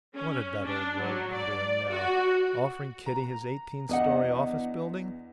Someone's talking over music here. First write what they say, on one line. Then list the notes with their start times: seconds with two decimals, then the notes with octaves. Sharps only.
What had that old rogue been doing now--offering Kitty his eighteen-story office building?
0.14 C#4
0.64 D4
0.99 F#3
1.32 D5
1.89 F#4
3.06 A#5
3.89 E2 D4 D#5 F#5